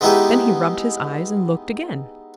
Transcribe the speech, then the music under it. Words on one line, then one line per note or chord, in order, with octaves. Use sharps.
Then he rubbed his eyes and looked again.
G#3 B3 D#4 E4 G4 G#4